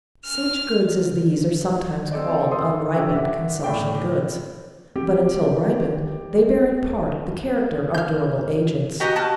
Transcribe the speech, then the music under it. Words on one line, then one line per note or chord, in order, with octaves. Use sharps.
Such goods as these are sometimes called unripened consumption goods, but until ripened they bear in part the character of durable agents.
F6
C4 A4 D5 D#5
A4 A#4 C5 C6 D#6
D3 E3 C#4 D4 G4 A4
E5 F#5 D6
B1 A2 D5 G5 D6
C4 G4
F6 G6
F#4 G4 D#5 A#5
F#4 A5 F6